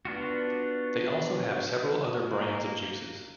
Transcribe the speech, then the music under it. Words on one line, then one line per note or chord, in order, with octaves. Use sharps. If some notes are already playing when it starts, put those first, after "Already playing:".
They also have several other brands of juices.
B3 D4 F4 F#4
A#3